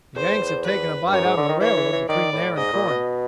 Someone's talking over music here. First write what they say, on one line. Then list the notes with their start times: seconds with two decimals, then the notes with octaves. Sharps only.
"The Yanks have taken a bite out of the railroad between there and Corinth."
0.16 E2 C5
0.65 B4
1.08 G2
1.12 F#2 C#5
1.24 G#2
1.37 D3
1.49 D#3
1.60 E3 C#5
1.77 E3
1.93 E3
2.08 D#3 D5
2.33 A2
2.56 G#2 D#5
2.73 A#2
2.89 B2